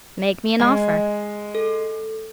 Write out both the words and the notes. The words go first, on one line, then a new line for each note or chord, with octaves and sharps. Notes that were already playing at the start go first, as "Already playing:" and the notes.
"Make me an offer."
G#3 D#5
A4